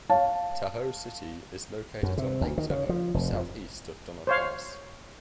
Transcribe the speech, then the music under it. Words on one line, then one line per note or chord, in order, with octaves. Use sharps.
Tahoe City is located on Lake Tahoe, southeast of Donner Pass.
C#5 F5 A5
F#2
C3
D2
D#3
C#3
F3
F1
F2
C5 C#5 F5